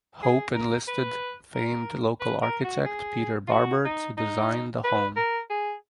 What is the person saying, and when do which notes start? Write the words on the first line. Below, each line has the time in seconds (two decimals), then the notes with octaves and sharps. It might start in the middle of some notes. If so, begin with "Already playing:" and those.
Hope enlisted famed local architect Peter Barber to design the home.
0.23 G#4
0.55 A#4
0.88 B4
1.55 A#4
2.20 B4
2.43 A#4
2.64 F#4
2.85 G#4
3.47 F4
3.51 F#4
3.85 D#4
4.18 D#4
4.84 B4
5.16 A#4
5.50 G#4